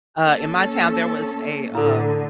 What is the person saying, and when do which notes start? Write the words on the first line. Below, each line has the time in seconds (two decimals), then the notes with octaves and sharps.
uh, in my town there was a, uh,
0.23 A#3 C#4 A4
1.75 A2 D3 E4 A4